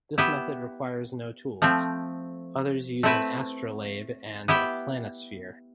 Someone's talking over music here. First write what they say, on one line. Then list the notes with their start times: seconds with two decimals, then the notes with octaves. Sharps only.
This method requires no tools; others use an astrolabe and a planisphere.
0.18 B3 E4 G4
1.62 F3 A3 C4
3.03 A3 C4 E4 B4
4.48 B3 E4 G4